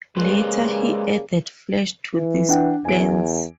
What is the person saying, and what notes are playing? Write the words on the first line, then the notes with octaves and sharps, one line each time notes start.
Later, he added flesh to these plans.
C#3 G3 G#3 A#3 B4 C5
E3
D4 F#5 G5
E2 G#5 D7